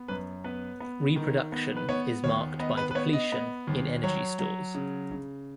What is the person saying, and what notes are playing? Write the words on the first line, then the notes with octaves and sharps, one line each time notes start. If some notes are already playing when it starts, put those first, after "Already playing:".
Reproduction is marked by depletion in energy stores.
Already playing: B3
F#2 B4
B3 B4
B3
D#3
B3
B4
B3 C#5
D#2 C#5
B3 D#5
B4
B4
B3 C#5
D#5
B3
D#2
F#3 C#5
F#3
C#3
C#3